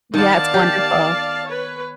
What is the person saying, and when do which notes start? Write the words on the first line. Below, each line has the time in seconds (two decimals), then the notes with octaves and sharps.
Yeah, it's wonderful.
0.14 D#3 B3 D5 F5 A5
0.54 G4
1.45 B4 C#5